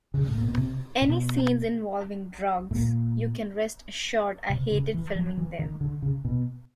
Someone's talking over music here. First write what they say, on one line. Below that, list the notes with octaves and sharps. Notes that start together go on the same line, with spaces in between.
Any scenes involving drugs, you can rest assured I hated filming them.
C#3
A2
A#2
B2
C3
B2
A2
A#2
C3
C#3
E3
F3
E3
D#3
D3
C#3
B2